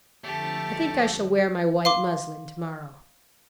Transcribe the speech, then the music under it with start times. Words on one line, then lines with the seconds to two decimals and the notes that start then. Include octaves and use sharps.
I think I shall wear my white muslin tomorrow.
0.24 F2 D3 F3 A3 G4 A5
1.85 F5 C6 D6